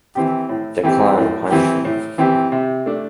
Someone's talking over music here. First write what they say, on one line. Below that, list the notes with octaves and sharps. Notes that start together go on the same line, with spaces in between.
Declan punched me.
E3 C4 G4
A2
E3 C4 G4
A2
E3 C4 G4
A2
E3 C4 G4
C3
A3 D4